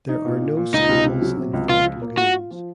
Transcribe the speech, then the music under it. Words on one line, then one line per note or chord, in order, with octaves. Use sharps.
There are no schools in Fork Lagoons.
D#4
A#2
A#2
A#2
C#2 D#4
C#2
C3
F#3
C3
C#2
F3 F4
F4
A#3
F4 F#4
F4
F3